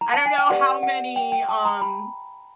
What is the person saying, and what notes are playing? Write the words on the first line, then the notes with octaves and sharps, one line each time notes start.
I don't know how many, um
A#5
A5
G#5
G5
G4 B4 D5 F#5
F#5
G5
G5
A5
A#5
B5